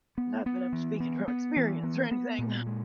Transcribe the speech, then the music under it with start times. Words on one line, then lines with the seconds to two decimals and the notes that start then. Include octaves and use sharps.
Not that I'm speaking from experience or anything.
0.18 B3
0.46 B3
0.73 E3
1.00 B3
1.28 B3
1.56 E3
1.83 B3
2.11 B3
2.38 A#2
2.67 G#3